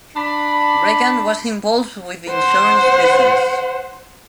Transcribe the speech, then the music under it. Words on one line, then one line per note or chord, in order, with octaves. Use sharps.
Regan was involved with the insurance business.
D4 B5
C5 F#5